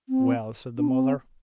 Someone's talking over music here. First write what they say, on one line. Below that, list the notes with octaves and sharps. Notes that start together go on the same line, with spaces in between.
"Well?" said the mother.
C4
D4
C4